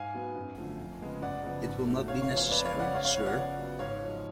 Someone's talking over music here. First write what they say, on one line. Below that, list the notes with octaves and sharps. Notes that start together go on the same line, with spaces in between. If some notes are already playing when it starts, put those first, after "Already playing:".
It will not be necessary, sir.
Already playing: G#2 F5 G#5
F#3 B3
F#2
D3 F3 A3
F2
C#3 G#3 B3
F#2 D5 F#5
C#3 F3 B3
G#2
F#3 A3
C#3 C#5 F5
C#5 F5
F3 B3
C#5 F5
F2 B4 D5
C#5 F5
C#3 G#3 B3
D5 F#5
C#3 C#5 F5
C#5 F5
F3 B3 C#5 F5
D5 F#5
C#3
F#3 B3
G#2 C#5 F5
F3
G#3